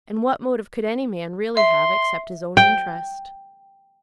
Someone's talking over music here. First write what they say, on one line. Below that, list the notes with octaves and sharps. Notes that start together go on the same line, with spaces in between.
And what motive could any man really have, except his own interest?
E5 C6
G5